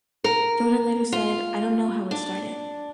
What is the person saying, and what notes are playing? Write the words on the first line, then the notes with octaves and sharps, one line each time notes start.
Jordan later said, I don't know how it started.
A#4
F4
D4